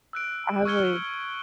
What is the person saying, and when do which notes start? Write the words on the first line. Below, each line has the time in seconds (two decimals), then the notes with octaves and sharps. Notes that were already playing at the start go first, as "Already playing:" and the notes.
I would
0.13 E6 F#6 D7
0.65 C#6 E6 F6 G#6 C#7 G7